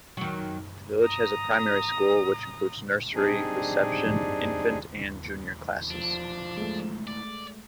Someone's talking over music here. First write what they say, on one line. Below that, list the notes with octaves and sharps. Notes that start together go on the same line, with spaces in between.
The village has a primary school which includes nursery, reception, infant and junior classes.
D#3 F#3
A#5 D#6
G3 C4 D4 D#4 G#4
F3 D4
G#3 A3
D5